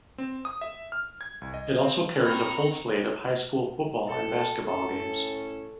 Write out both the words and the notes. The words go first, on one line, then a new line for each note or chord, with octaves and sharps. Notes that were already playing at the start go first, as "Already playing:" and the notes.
It also carries a full slate of high school football and basketball games.
C4
D#6
E5
F6
G#6
C2
D#5
C4
C4 A#5 B5 C#6
A4 G5 A5
A2 C#4 A4